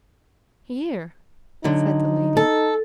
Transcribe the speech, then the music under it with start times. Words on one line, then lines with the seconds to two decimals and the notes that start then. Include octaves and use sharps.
"Here," said the lady.
1.64 D3 F#3 D#4
2.37 A4